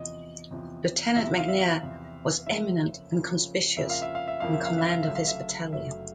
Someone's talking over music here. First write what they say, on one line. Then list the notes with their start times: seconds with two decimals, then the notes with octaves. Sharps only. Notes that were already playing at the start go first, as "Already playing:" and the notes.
Lieutenant McNair was eminent and conspicuous in command of his battalion.
Already playing: E2 C3 F3 D#5
0.51 E2 C3 F3
1.16 E2 C3 F3 E5
1.38 F5
1.48 E5
1.81 E2 C3 F3
2.47 F2 C#3 F3 A#3 E5
3.11 F2 C#3 F3 A#3
3.77 F2 C#3 F3 A#3 E5
3.90 F5
4.02 E5
4.15 F5
4.28 E5
4.40 F2 C#3 F3 A#3 F5
4.53 E5
4.65 F5
4.78 E5
4.90 F5
5.03 E5
5.08 F#1 F#2 D3 F#3 A3
5.15 F5
5.28 E5
5.73 F#1 F#2 D3 F#3 A3 E5